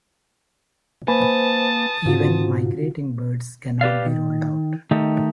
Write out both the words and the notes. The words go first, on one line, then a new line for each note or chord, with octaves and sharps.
Even migrating birds cannot be ruled out.
A#3 B4 C5 G#5 A5 B5 D#6
G#2 C#3 C4 F4 F#4
G4 B4 D5 F5
D#3
D#3 A3 D#4 G4